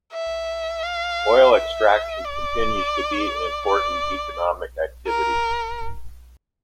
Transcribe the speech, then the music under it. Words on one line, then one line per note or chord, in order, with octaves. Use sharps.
Oil extraction continues to be an important economic activity.
E5
F5
E5
D5
D5
A#4